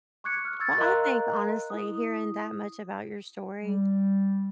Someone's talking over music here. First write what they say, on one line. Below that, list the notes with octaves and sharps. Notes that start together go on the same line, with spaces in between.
Well, I think, honestly, hearing that much about your story,
C#6 D6 F#6 G#6 C#7
F6
C#6 E6 G#6 A6
A#4 D#5 F5 A#5 C6 F#6
E4 D#6
G3